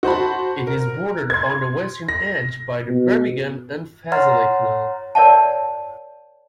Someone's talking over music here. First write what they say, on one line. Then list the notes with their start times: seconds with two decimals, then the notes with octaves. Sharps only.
It is bordered on the western edge by the Birmingham and Fazeley Canal.
0.03 F#4 C5 A5 B5
0.67 A#4
1.30 C6 G#6
2.08 A#6
2.89 B2
4.12 C#5 F#5 A#5 C6 F6 A6
5.15 A#4 C#5 D5 E5 F#5 A5